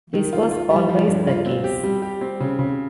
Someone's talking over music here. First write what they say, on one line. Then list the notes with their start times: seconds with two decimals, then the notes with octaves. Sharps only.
This was always the case.
0.14 D#3
0.33 F4
0.51 F4
0.70 G3
0.88 F3
1.08 G2
1.27 F4
1.46 C4
1.64 G4
1.83 G3
2.02 G4
2.21 C4
2.40 C#3
2.59 C#3